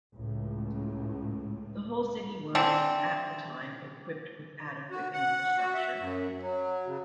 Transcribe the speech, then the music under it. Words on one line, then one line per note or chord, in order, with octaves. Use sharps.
The whole city was, at the time, equipped with adequate infrastructure.
C#2 A2
D3 E3 C4
F#4
F#5
F#4
E5
F#2
F#3
C#3